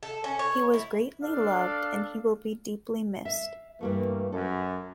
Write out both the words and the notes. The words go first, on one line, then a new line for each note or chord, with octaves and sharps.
He was greatly loved and he will be deeply missed.
A4
C#4
C#5
E4
D4 A4 F5
E5 F5
G2 E3 G3 A3 A#3
F#2 A4